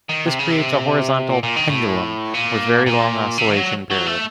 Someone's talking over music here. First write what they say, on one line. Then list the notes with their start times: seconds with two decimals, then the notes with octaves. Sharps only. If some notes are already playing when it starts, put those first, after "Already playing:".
This creates a horizontal "pendulum" with very long oscillation period.
0.09 D#3
0.26 C3
0.39 C#3
0.52 C3
1.30 A#2
1.43 A#2
1.56 D#3
1.69 A2
2.34 A#2
2.86 A#2
3.38 C3
3.55 F#3
3.90 F#3
4.06 A3